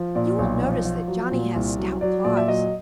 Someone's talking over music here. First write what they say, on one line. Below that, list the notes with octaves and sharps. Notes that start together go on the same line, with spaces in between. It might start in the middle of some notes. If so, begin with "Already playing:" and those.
You will notice that Johnny has stout claws.
Already playing: F3
A#2 D5
B1
F3
F3
F#3
A#2
C2
F#3
F#3 D5
A#2 D5
E5
F#3 D#5